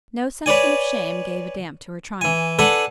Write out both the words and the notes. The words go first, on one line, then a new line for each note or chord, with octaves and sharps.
No sentiment of shame gave a damp to her triumph.
B4 C#5 D5 G#5
E3 G#5
D4 A4 B4 F#5 G#5